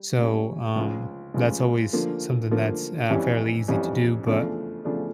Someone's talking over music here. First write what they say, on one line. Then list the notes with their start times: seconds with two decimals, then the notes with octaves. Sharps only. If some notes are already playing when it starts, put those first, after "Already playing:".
So, um, that's always something that's, uh, fairly easy to do, but.
Already playing: G3
0.18 A#2 G3 C#4
0.76 C#2 C#3 F3
1.34 C#2 C#3 F3
1.93 D3 F3 A#3
2.51 D3 F3 A#3
3.10 F2 E3 G3 C#4 G4
3.68 F2 E3 G3 C#4 G4
4.26 E2 C#3 F3 A3 D4
4.85 E2 C#3 F3 A3 D4